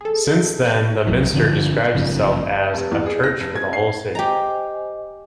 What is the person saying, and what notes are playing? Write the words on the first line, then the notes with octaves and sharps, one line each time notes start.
Since then the Minster describes itself as "A church for the whole City".
G#4 A4
B1 F2 F#3
G1 D3 F3 D4
G#1 F#2 C#3 F3
F1
E2
G#4
A#6
F1
G#6
C7
G4 C5 D#5 G#5 A#5